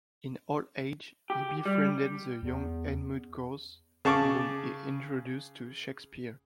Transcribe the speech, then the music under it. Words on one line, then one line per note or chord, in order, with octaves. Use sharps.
In old age he befriended the young Edmund Gosse, whom he introduced to Shakespeare.
G4
G3
E2
C#3 A5 C#6 D6